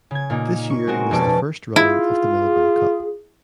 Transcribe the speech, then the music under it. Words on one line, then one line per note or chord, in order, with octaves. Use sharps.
This year was the first running of the Melbourne Cup.
C#3 G#6
A#2 A#3 D#4
C#6
G#3 C4 F#4 A#4
F1 B2 C#4 D5 A5
E4 F4 G#4